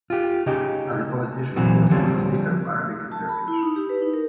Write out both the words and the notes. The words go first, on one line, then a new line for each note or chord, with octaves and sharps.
As a politician he was a good speaker of Arabic and Turkish.
F4 G4
C#3 D#4 G4
A#2 E3 F#3 C4 F#4
D3 F3 G3 C4 C#4
A5
B5
E4
D#4
G4
B4
D#4
A#4